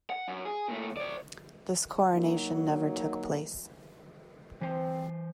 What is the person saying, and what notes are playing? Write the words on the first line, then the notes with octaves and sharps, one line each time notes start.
This coronation never took place.
F#5
F#2
G#4
A#2 A3
C5 D5
F#3 A#3 D#4
E3 C4 C5